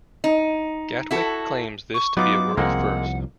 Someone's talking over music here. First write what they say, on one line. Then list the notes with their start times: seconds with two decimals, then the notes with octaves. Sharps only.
Gatwick claims this to be a world-first.
0.24 D#4
1.11 E4 F#4 A4
1.94 C#6
2.17 F#3 B3 D#4 F4 D6
2.57 C2 F3 G#3 A#3 C4 F#5